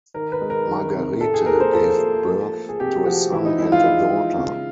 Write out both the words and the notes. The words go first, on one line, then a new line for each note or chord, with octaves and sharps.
Margarete gave birth to a son and a daughter.
D#3 A#4
B4
G#3
A#4
D#3
C3
A2 A4
G#4
A#3 A#4
C5
F3 A4
A#3
F3
A3
G#4
C3 G4
F3 F#4
E3 E4
D#4
G#3 E4
F4
G#3
G#3
C#3